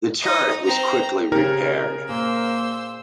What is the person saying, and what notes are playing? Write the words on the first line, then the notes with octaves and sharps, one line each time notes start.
The turret was quickly repaired.
D#4 D#5
C4 A#5
C#3 C4 G4 A#4 C#5
A#2 A#3 G#4 C5 E6